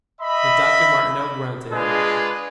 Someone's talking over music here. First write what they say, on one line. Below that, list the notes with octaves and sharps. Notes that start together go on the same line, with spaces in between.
But Dr. Martineau grunted.
D#5 E5 B5
G#3 D4 F4 G#4 B4